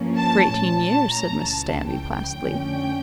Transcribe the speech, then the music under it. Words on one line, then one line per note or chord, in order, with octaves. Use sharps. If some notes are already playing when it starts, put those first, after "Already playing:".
"For eighteen years," said Mrs. Danby placidly.
Already playing: G2 F3 A#3 C#4
A5
A#2 A3 C#4 A5
A5
A#5
C#2 C#3 E3 A5
G5
F2 D3 A3 C#4